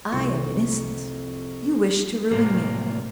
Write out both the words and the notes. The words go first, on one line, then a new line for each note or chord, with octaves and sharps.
I am innocent; you wish to ruin me.
C2 F2 C#6
A2 C3 F#3 G#3 A#3